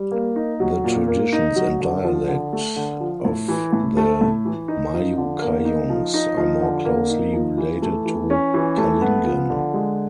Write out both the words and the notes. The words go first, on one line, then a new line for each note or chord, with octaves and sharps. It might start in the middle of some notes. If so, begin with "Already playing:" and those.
The traditions and dialect of the Majukayongs are more closely related to Kalingan.
Already playing: G3
A#3
D#4
F#3
A#2
A#3
D#4
F#3
D3
F3
D3
A3
D3
F3
A2
E3
A2
A3
A2
E3
D#4
F3
D3
A#3
D#4
F3
D#4
F3
D3
A#3
D#4
F3
E3
A3
E3
C#4
E3
A3
B3
F3
D3
G#3